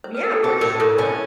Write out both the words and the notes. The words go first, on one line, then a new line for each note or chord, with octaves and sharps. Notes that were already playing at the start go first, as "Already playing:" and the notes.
We Yeah, for sure.
C5
B4
A#4
A4
A3 G#4
A2 A#4
A2 A4
C#4